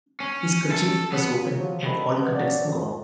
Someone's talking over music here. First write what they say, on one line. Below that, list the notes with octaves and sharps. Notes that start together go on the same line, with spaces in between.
His kerchief was open and all contents gone.
C#4
A4
B3
F3 F#3
G#2 D3 D#3 A4 B5
B3
C#3 F#3 A#3 D4 F#4 D5
F2